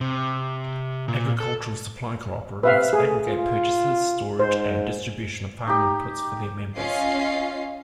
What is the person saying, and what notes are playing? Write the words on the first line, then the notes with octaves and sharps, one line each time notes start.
Agricultural supply cooperatives aggregate purchases, storage, and distribution of farm inputs for their members.
C3
A#2
A4
C3 B4 E5 F5
A3 G#4
F4
G#2 C5
D#4 G4
C#4 F4 D#5 F5 C7